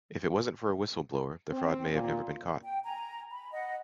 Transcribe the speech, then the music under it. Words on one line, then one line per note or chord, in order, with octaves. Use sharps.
If it wasn't for a whistle blower, the fraud may have never been caught.
C4
A#2
G5
G#5 A#5
B5
D#5 F#5